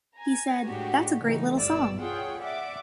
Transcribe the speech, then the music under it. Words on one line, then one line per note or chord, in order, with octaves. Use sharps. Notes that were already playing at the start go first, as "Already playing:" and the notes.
He said: 'That's a great little song.
G#5 A#5
A2 G#3 D4 F#4 G4
C#3 E3 A3 D#4
G1 B2 D5 E6
F4 G#4 C#5 F#5 G5
D5 E5 F#5 D6